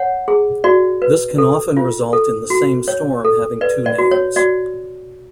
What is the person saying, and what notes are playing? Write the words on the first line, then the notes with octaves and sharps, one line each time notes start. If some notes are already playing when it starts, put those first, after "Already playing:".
This can often result in the same storm having two names.
Already playing: C#5 F#5
G#4
F#4 D5
B4
A4
F4
A4
F#4
C#5
A4
B4 D5
D5
F#4
C#5
F#4 D5